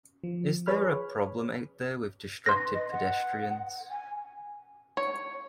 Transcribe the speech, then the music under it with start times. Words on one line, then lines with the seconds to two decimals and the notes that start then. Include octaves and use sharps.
Is there a problem out there with distracted pedestrians?
0.24 F3
0.66 G#4 B4 C#5 B5 F6
2.46 B4 C6 A#6
2.74 D#5
2.91 F#5
3.91 G#5
4.97 C#5